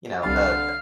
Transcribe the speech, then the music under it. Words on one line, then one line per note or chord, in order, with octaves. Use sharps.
you know, a
C2 D3 F5 B5 A6